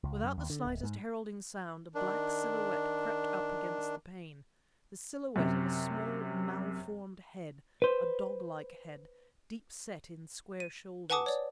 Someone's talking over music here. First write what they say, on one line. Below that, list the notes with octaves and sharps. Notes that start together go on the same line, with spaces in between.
Without the slightest heralding sound--a black silhouette crept up against the pane... the silhouette of a small, malformed head, a dog-like head, deep-set in square shoulders.
C#2
F#2
D#2
D3
D1
G#2
D#3 D4
F#2 C3
B4 C5
D#7
B4 F#5 G#5 A5 D6 D#6
C#5 D5